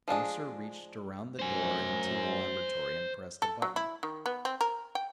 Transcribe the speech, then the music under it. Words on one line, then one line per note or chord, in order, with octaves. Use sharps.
Mercer reached around the door into the laboratory and pressed a button.
F3 G#3 D4 G#4
F#2 C5 G#5
A4
F#3
E4
D#3
B3
C4
A#4
G5